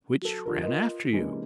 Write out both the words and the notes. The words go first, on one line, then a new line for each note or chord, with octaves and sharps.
"Which ran after you?"
F#3 A4
D3 F3 F4 G4 A4 A#4
F4 A#4 B4 D#5
C3 E3 G#3 A#3 C#4 D4